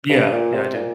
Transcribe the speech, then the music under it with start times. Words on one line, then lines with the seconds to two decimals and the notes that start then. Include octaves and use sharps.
Yeah, yeah, I do.
0.09 G2
0.32 A#2
0.54 C3
0.75 A#2